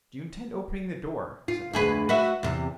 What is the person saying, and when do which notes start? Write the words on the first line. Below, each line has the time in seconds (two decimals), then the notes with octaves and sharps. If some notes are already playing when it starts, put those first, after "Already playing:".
"Do you intend opening the door?" said the baroness.
1.48 F4
1.73 D2 G#4 B4
2.09 F#4 B4 E5
2.43 E2 C3